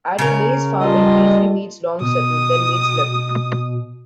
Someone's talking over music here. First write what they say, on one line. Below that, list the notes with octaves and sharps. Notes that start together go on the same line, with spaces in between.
At Maze Farm it briefly meets Long Sutton then meets Lutton.
C#3 A#4
G3 F4 A4 D#5
B2 D#6